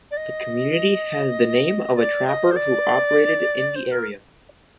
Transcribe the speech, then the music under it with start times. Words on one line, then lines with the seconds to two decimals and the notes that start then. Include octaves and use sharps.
The community has the name of a trapper who operated in the area.
0.11 D5
0.17 D#5
1.97 D5
2.27 D#5
2.51 C5
2.56 D5
3.76 C5
3.91 A#4